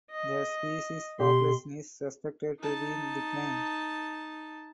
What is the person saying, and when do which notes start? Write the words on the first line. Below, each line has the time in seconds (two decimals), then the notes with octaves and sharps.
The species’ population is suspected to be in decline.
0.10 D#5
1.20 B2 G4 C6
2.60 D#4 A5